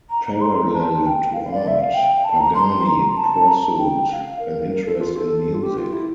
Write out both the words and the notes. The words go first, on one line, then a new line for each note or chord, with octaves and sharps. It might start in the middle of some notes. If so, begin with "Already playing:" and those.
Parallel to art, Pagani pursued an interest in music.
A#5
A#5
C6
A#5
A#5
A5
A5
G5
F5
D5
E5
F5
G5
A5
A#5
C6
A#5
A5
A#5
A5
G5
G5
F5
A#4
A#4
A4
F4
A4
F4
G4
F4
E4